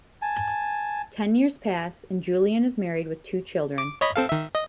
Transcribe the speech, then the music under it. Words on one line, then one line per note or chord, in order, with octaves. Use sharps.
Ten years pass, and Julien is married with two children.
G#5 A5
D6
C#5 D#5 B5
C4 A4 F5
D#3 E5
D#5